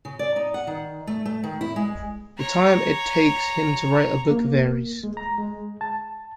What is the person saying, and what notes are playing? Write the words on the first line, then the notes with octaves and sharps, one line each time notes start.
The time it takes him to write a book varies.
C#3
D5
D#4
F#5
D#3
A3
A3
D#3
E4
G#3
C#5 A#5
A#3
G#3
A#5
G#3
A5